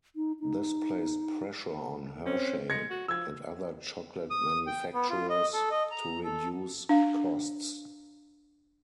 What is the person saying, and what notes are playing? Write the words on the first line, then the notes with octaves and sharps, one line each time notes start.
This placed pressure on Hershey and other chocolate manufacturers to reduce costs.
D#4
D#4
C4 C#4
G#3 G#6 A#6 C#7
F#4
F3 E6 G#6
D#6
G5
B3
F4
D#5
A4
D#5
A#5
A4
D4 F5